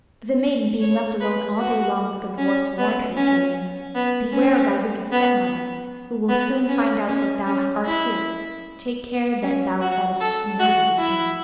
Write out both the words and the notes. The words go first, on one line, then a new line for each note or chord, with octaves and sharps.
The maiden being left alone all day long, the good dwarfs warned her, saying, "Beware of thy wicked stepmother, who will soon find out that thou art here; take care that thou lettest nobody in."
C#5
B4
F#4
C#4
B3
C#4
B3
C#4
B3
B3
C#4
C#4
C#4
E4
C#4
F#4
A4
F#4
E4